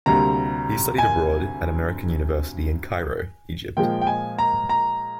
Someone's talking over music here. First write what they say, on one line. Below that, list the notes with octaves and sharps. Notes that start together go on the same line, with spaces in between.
He studied abroad at American University in Cairo, Egypt.
D2 C3 G3 A#3 A#5
G#5
A#2 F3 G#3 G5
G5
G#5
A#5
A#5